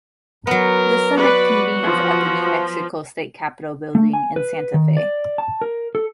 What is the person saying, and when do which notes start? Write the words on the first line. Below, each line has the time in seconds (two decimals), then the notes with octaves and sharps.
The Senate convenes at the New Mexico State Capitol building in Santa Fe.
0.47 F#3 B3 A#4
1.17 F#4 B4 D5
1.84 F3
3.95 A3
4.13 G#5
4.36 B4
4.74 D#3
4.97 D5
5.38 A5
5.61 A#4
5.95 A4